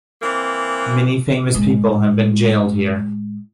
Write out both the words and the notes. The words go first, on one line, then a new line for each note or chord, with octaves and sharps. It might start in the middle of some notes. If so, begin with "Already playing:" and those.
Many famous people have been jailed here.
E3 A#3 C4
A2 G#3